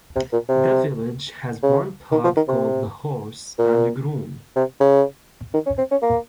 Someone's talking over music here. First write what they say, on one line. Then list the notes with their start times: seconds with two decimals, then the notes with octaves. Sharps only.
The village has one pub called The Horse and Groom.
0.16 C3
0.33 A#2
0.49 C3
1.63 C#3
2.12 D#3
2.24 F3
2.37 D#3
2.48 C3
3.59 A#2
4.56 C3
4.81 C#3
5.54 D#3
5.66 C#4
5.78 C4
5.91 C#4
6.03 A#3